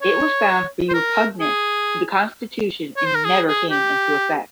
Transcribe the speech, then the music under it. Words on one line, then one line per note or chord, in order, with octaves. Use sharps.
It was found to be repugnant to the Constitution and never came into effect.
C#5
C5
A#4
G#4
C#5
C5
A#4
G#4
G#4
G4